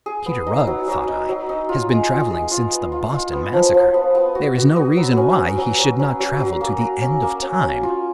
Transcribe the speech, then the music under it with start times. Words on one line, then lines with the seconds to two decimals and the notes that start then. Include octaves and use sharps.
If Peter Rugg, thought I, has been travelling since the Boston Massacre, there is no reason why he should not travel to the end of time.
0.06 G#4
0.26 B3
0.47 D#4
0.67 F#3
0.88 F#3
1.08 D#4
1.29 F#3
1.49 D#4
1.69 F4
1.89 G#3
2.10 F4
2.30 G#3
2.51 F4
2.72 B3
2.92 F4
3.12 F4
3.33 B3
3.53 F3
3.74 F3
3.94 B3
4.15 B3
4.35 F#4
4.55 F#4
4.76 B3
4.96 F#3
5.17 C#4
5.38 F#3
5.58 F#3
5.79 F#3
5.99 C#4
6.20 F#3
6.39 F#3
6.61 A#3
6.81 A#4
7.02 C#4
7.22 A#3
7.42 C#4
7.63 C#4
7.83 F4